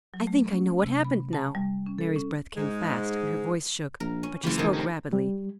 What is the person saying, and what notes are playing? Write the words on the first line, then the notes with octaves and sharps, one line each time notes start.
"I think I know what happened, now." Mary's breath came fast and her voice shook, but she spoke rapidly.
F#3
A3
C#4
C3
B5
A5
G3
C#4
A4
C#4
G#2 G#3
A#1 A#4
C#4
F#1 E3 F4 G4
D#3 F3 A#3
F1 C4 C#4
G3